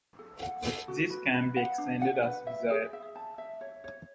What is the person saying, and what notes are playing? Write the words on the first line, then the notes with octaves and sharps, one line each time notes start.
This can be extended as desired.
A4
F#5
A4
F#4
B4
B4
F#5
D4
F#5
B4
E5
G#4
E5
A5
E5
C#5
C#5